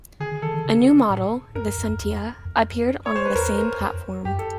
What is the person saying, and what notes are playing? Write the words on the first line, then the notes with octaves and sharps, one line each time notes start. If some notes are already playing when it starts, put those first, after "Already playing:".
A new model, the Sentia, appeared on the same platform.
D3 G#4
D3
D#3 A4
D#3
C#3
A2
F#2 A#4
F#2
F2
F2
E2
F2
C#5
C5
B4
E2 A#4
A#4
F2
F#2 G4
A4